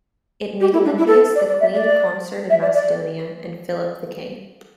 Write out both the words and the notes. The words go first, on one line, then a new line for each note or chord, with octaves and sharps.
It made Olympias the queen consort of Macedonia, and Philip the king.
G4
E4
D4
E4
A4
D5
D5
E5
D5
E5
D5
D5